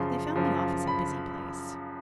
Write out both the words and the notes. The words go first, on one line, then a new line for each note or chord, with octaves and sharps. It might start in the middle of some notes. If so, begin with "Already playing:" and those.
They found the office a busy place.
Already playing: F#2 C#3 F3 C6
F#2 C#3 F3
B5